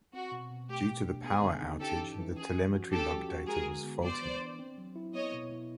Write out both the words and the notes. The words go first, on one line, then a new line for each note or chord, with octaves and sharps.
Due to the power outage, the telemetry log data was faulty.
C4 F#4
B2
B2
A3 G4
B2
D4
B3 G#4
D3
D#4
C#4 G4 A4
E3
E3
C#4 G#4
F3
F#4
C#4 G4 A4
F3
F#4
G#3 G#4 A#4
D3
B3
B3 C5 D5
E3
D4
C4
F#3
E4
B3 C#5 D#5
B2
E4